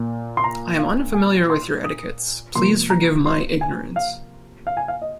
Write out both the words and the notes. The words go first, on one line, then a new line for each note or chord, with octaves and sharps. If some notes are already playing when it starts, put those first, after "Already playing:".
I am unfamiliar with your etiquettes, please forgive my ignorance.
Already playing: A#2 A#3
C6
A#5
F5
G#5
C6
D#6
C3 F3 A#3 C6
A#5
C6
G#5
F5
F5
G#5
F5
D#5